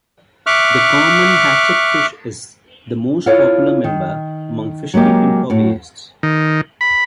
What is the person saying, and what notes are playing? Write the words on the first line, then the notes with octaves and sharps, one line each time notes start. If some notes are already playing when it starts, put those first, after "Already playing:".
The common hatchetfish is the most popular member among fish keeping hobbyists.
E5 C#6 D6 F6 F#6
E4 F4 A4 C#5 F5
D#3
F#3 G#3 A#3 G4
A2 F#4
D#3
B5